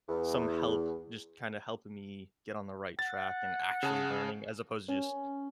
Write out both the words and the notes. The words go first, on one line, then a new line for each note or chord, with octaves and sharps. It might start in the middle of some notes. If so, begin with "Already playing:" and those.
some help, just kinda helping me get on the right track and actually learning as opposed to just
E2
F#5 A6
C#3 G#4 A5
C#4